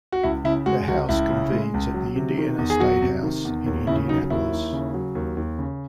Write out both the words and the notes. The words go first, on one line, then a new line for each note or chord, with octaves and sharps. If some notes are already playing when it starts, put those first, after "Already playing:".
The House convenes at the Indiana Statehouse in Indianapolis.
F#4
C#2 E4
C#3 E4
G#3 F#4
C#2 F#4
C#2 E4
C#3
G#3
C#2
F#3
C3
D#3
E2
G#4
F#3 F#4
C3
D#3
E2
D#2
C#3 E4
F#3 D#4
D#2 E4
D#2
C#3
F#3
D#2
D#2
C#3